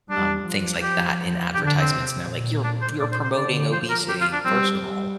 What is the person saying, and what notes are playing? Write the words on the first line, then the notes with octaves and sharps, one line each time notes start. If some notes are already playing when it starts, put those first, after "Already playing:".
um, things like that in advertisements, and they're like, "You're you're promoting obesity." First of all,
G3 D4
F3
G4
D3 G4
D4
C4
C3
A#2
D4
C5
A#2 D5
C5
C5
D3 D5
F3 C5
A#4
G4
F4
D4
G3 C4
G3